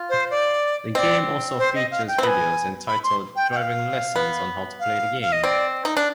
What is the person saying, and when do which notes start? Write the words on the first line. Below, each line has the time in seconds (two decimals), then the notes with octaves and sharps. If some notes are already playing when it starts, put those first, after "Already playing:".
The game also features videos entitled driving lessons on how to play the game.
Already playing: F4
0.10 C5
0.31 D5
0.95 C4 D5 D#5
1.59 C5
1.75 D#5
1.91 F5
2.08 G5
2.18 C4
2.23 B3 G#5 B5
2.88 B5
3.04 C6
3.36 G5
3.52 G5
3.57 F5
4.16 B3
4.80 F5
5.22 F5
5.32 D#5
5.43 C4 D5
5.85 D#4
5.97 D4